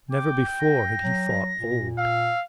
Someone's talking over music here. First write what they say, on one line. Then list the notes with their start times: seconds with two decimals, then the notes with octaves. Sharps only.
Never before had he thought old.
0.11 G5 D6
0.60 A#6
1.03 F#3
1.59 A#2
1.98 F5 E6